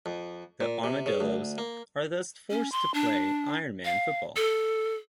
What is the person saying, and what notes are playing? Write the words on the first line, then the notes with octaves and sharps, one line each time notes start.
The Armadillos are thus forced to play ironman football.
F2
A#2
C3
C#3
D2
A#3
C#4
C6
D4
F5
A4